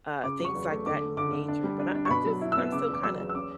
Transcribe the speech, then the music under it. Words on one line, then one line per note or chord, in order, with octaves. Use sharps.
uh, things like that in nature. But I I'm just I'm still kinda
C#3 D6
F#3
C#6
E2
A3
D3 D6
A3
D3 D6
D3
D4
G3
D4
D4
C#6
B2 B5
F#3
E4
E6
B3
C#3 D6
E2
D6
F#3 E6
E2
E6
C#4 D6